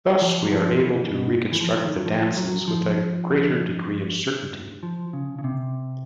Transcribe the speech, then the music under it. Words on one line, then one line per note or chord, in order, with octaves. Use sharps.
Thus we are able to reconstruct the dances with a greater degree of certainty.
F3
F#3
F3
E3
B2
E3
F3
D#3
F#3
F3
F#3
F3
F3
C#3
C#3
C3